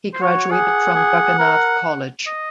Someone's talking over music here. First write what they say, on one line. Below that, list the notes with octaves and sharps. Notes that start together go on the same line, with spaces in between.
He graduated from Jagannath College.
C5
F#4 C#5
G#4 F#5
G#4
A#4
D#5